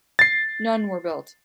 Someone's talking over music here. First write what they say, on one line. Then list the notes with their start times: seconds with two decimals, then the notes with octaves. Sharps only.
None were built.
0.19 A6 C7